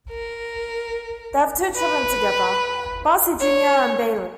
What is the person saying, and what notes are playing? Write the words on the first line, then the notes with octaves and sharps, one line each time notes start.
They have two children together, Bracey Junior and Bailey.
A#4
B4
C#5